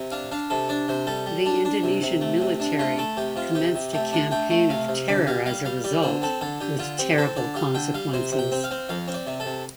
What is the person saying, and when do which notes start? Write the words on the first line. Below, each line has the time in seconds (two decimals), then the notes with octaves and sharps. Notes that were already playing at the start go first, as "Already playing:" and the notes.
The Indonesian military commenced a campaign of terror as a result, with terrible consequences.
Already playing: C3
0.12 D4 F5
0.31 D4 F5
0.50 C3 A4
0.69 D4 D5
0.88 C3 C5
1.07 G3 A4
1.26 G3
1.46 D4
1.65 D4
1.83 C3
2.03 C3
2.21 A3
2.41 C3
2.60 D4
2.79 A3 F4
2.98 A3 A4
3.17 C3 G4
3.36 C3 F4
3.55 C3 G4
3.75 C3
3.93 A3 G4
4.13 D4
4.31 A3 G5
4.50 A3
4.70 C3 F5
4.88 C3
5.08 D3 D5
5.27 G3 F5
5.46 G3 F5
5.65 G3 F5
5.84 G3 D5
6.03 D3 C5
6.22 C4 A4
6.41 D3 A4
6.61 D3 G4
6.79 D3 F4
6.99 C4 G4
7.18 C4 A4
7.36 D3 D5
7.55 G3 F5
7.75 D3 G5
7.94 G3 F5
8.14 C3 C5
8.32 C3
8.39 G5
8.52 C4
8.64 F5
8.71 C4
8.89 F2 F5
9.08 C4
9.14 D5
9.27 C3
9.40 A4
9.46 C3